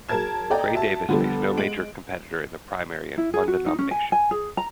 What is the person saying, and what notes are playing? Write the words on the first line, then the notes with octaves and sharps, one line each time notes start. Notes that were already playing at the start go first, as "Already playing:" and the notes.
Gray Davis faced no major competitor in the primary and won the nomination.
F#3 G#4 A#4 A5 G#6 E7
A4 D5 D#5 G5 A#5
F#4 E5 A5
D3 F3 G3 B3 A4
G#3 D7 F#7
E4
G#4
F#4
D#4
C#4
G#5
G#5
G#4
A#5